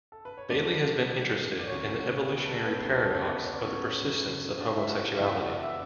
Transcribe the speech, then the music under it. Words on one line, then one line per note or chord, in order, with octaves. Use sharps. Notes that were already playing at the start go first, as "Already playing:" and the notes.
Bailey has been interested in the evolutionary paradox of the persistence of homosexuality.
A4
B4
C#5
E1 E2 B2 F#3 C#4 D4 D5
D5
D2 D3 F#3 C#4 C#5
B3 B4
A4
B3 B4
D2 C#3 F#3 A3 C#4 A4
A4
B3 B4
C#5
D5
C#4 C#5
F#1 F#2 C#3 F#3
D4 D5
E4 E5
F#4 F#5
F#4 F#5
F#1 E2 C#3 E4 E5
F#4 F#5
D5 D6
E5 E6